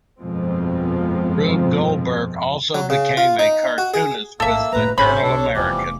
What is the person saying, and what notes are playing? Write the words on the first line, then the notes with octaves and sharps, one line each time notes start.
Rube Goldberg also became a cartoonist with the "Journal-American".
G1 F2 B2 F3 G#3 C4
F#3
C#3
F4
D#4
F#4
G#4
A1 G#2 A#3 A4 E5 E6
F#1 D#2 A2 B4 A#5
G#1 F#2 D3 C#4 C5 C#5 B5
C2 D4 A4
F1 E2 E3 F3 G3 D6